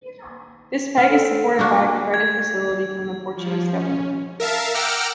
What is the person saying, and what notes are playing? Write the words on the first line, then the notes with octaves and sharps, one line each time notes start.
This peg is supported by a credit facility from the Portuguese government.
F5
A4
A#3 D4 F#4 F5
G#3
G#6
F3
C#4
A#4 E5 F5 A5
F#5 G5 A#5 D6 E6 F6